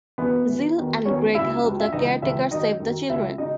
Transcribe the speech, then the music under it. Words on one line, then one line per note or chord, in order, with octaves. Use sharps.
Jill and Gregg help the caretakers save the children.
F#2 E3 B3 B4
F#2 E3
E2 D#3 F#3
E2 D#3 F#3 C#4 C#5
C#2 C#3 F#3 E4 E5
C#2 C#3 F#3
E5
C#2 C#3 E3 D#4 D#5
C#2 C#3 E3 E4 E5
F#2 D#3 F#3 D#4 D#5
F#2 D#3 F#3
C#2 C#3 F#3 E4 E5
C#3 F#3 D#4 D#5